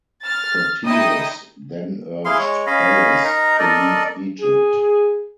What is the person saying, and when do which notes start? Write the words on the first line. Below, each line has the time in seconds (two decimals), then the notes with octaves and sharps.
Proteus then urged Paris to leave Egypt.
0.24 F6 A6
0.85 D#4 E4 D#5 G5 D#6
2.25 E4 G#4 F5 C6
2.39 G#3 C#5
2.67 C#4 D#5 F5 B5
3.24 D#4 A#4 A#5
3.59 A4 A#4 D5 D#5
4.40 G#4